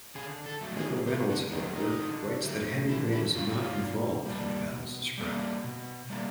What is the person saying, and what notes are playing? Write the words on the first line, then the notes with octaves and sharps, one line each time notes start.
Michael Reynolds, however, writes that Hemingway was not involved in the battles described.
D3 G#4
A4
F#3 A3
G#4
D3 G4
F#4
F#3 A3 D#4
D#4
D3
F#3 A3
D3 E4
E4
F#3 A3 F4
F4
B2
G3 A#3 D4
B2
G3 A#3 D4
B2
G3 A#3 D4